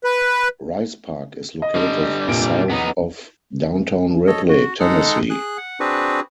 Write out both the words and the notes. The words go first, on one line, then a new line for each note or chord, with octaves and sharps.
Rice Park is located south of Downtown Ripley, Tennessee.
B4
D#5
D3 G3
F1 A#2 D7
E2 B3 D#4
A4 C#5 D#5
F#4
G#3 D#4 G#4 A4 F#5
G#4 F#6
F#5
C4 D4 F#4 G#4 B4